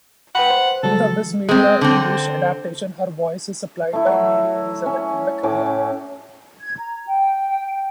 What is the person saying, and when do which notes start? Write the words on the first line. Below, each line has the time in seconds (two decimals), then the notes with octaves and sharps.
In the Viz Media English adaptation, her voice is supplied by Mary Elizabeth McGlynn.
0.35 B4 F#5 G5 B5
0.50 C5
0.83 C#3 F#3 G#3 A4
1.49 G#3 C4
1.81 D3 C4
3.93 A3 E4
4.06 F#3
4.86 C#4
5.43 A2 C#4 D6
6.61 G#6
6.77 A#5
7.06 G5